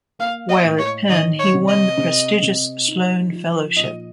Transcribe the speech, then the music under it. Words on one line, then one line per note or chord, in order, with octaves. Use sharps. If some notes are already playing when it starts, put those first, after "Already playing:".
While at Penn, he won the prestigious Sloan Fellowship.
A#3 F5
D#5
A2
C#5
D#3 D#5
C#5
C3
D#5
C3
C3
D#4
F3
A#2 D#5